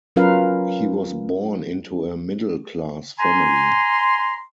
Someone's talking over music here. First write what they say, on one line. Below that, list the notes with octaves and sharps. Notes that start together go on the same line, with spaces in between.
He was born into a middle-class family.
F#3 C#4 F4 A#4 B4 F5
G#5 A#5 C6